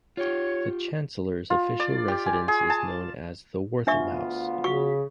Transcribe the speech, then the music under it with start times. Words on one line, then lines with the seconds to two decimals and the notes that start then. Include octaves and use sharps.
The Chancellor's official residence is known as the Wortham House.
0.17 F4 G4 C#5
1.50 F4
1.80 D5
2.08 G4
2.26 G#5
2.48 G#4
2.70 A5
3.87 D2 B3 D4 F4 E5 C#6
4.64 C#3 F#4 C#6 B6